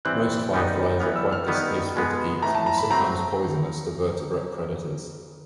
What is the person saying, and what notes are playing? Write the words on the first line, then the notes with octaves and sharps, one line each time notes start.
Most fireflies are quite distasteful to eat and sometimes poisonous to vertebrate predators.
E3 G3 C4 F#6
D#3 G3 B3 D#4
E3 G3 B3 F6
E6
F6
D#3 G3 B3
B2 G#3 B3
A2 E3 A3 A#5
A5
A#5
B5
F#3 A3 C4 A#5